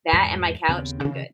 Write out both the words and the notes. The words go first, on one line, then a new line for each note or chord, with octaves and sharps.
That and my couch, I'm good.
E2 G#2
D#2 C#3 B3 C4
G2 C3 D#3 E3